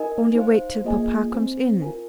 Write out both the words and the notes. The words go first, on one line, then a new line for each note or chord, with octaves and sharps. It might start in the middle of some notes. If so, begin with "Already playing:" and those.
'Only wait till papa comes in.
Already playing: D#4 A#4 D#5 G#5
D#4 C5 F5
A#3 F4 G#4 D#5 G#5
C4 D#4 C5 G#5
F4 A#4 G#5